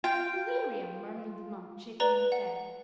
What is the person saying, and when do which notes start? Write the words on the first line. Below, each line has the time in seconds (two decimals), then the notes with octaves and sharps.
"Delirium!" murmured the monk, shaking his head.
0.04 F4 G5
2.00 B4 D5 A#5 G7
2.32 F#5